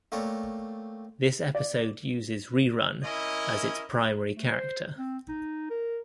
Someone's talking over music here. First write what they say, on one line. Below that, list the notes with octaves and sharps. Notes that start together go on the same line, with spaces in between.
This episode uses Rerun as its primary character.
A3 A#3 C4 C#5 D5
D5
C#4 E4 A#4 D#5
A3
C5
C4
D#4
A#4